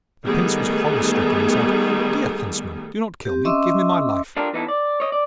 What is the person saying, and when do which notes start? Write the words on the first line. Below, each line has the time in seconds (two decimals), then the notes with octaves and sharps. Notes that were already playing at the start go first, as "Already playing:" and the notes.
The Prince was horror-stricken, and said, 'Dear Huntsman, do not kill me, give me my life.
0.24 D#3 G3 A3 B3 G#4 A4
3.25 C4 G4
3.45 C#4 D#5 E5 C6 D6 E6
4.37 D4 F4 G4 A4 A#4
4.54 E3 B3 D#4 E4 A4
4.68 D5
5.00 C#5 D#5
5.12 D5